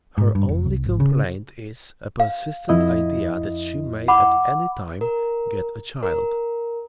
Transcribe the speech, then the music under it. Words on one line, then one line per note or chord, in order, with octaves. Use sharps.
Her only complaint is a persistent idea that she may at any time get a child.
G#2
G2
F1
C2
G#1
C#3
F5
F2 E4 D#5
F#5 B5 D6
A#4
A#4